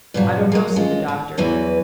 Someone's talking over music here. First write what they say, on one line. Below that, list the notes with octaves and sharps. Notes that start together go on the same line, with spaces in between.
"I don't know," said the doctor.
G2 A#2 C#3 F#3
F#3 A#3
G#3 C#4 F4
D3
E2 E3 F#3 B4 C#5